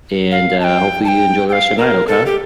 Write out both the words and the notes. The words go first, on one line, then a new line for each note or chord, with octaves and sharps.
and, uh, hopefully you enjoy the rest of your night, okay?
F5
A5
G5
A5
G5
G5
F5
A#4
A4
G4